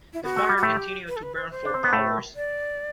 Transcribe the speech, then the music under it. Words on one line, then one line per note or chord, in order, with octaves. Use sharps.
The fire continued to burn for hours.
E4
B3 F#4
A3
G3
F#4
A2 A3 G4
B4
A4
B4
C5
C5
D4
C4
B3
A2 A3
D5